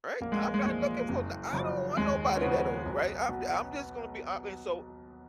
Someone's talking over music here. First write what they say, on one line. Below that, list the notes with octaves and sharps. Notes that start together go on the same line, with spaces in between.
Right? I'm not looking for th I don't want nobody that old, right? I'm d I'm just gonna be hon and so
A#1 A#3
G#3
G#3
A#2 F3
F#1
F#2 C#3 F3
D#2 G#3
C#4
C#3 F3 B3
B1
B2